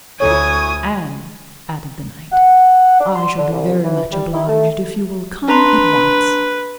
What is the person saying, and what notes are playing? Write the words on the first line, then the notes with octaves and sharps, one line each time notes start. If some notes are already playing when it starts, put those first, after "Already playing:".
"And," added the Knight, "I shall be very much obliged if you will come at once."
D2 E4 A4 C#5 G#5 C#6 D#6
F#5
D4
C6
D3
C2
E3
G3
E4
A3
D4 B4 A#5 C6